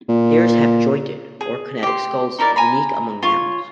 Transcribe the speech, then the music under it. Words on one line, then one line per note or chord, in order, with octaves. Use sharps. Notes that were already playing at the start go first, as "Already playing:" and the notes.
Hares have jointed, or kinetic, skulls, unique among mammals.
A#2
G#4
G4 C6
D#4 E4 A#4 D5
G#5 A#5 B5
F4 C#5